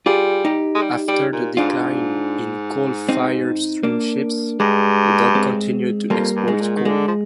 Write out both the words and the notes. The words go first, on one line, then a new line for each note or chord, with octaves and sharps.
After the decline in coal-fired steamships, the dock continued to export coal.
G3 F4 G#4
D#4 G4
G#3
G3
G3
A#2
G#2 D4 F4
G2
G#2
C4 D#4
A#3 D4
G2 G#3
G#3 C4
F2 G3 A#3
G2
G#2 G#3
A#2
D#3
D3 G#3
F3